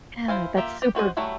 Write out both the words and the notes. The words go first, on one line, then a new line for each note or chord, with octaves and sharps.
Yeah, that's super
E4 C5 F5 G#5
A#3 F4 G4 E5
G4
C#4 F#4 C5 D#5
F#3 G3 A3 E4 F#4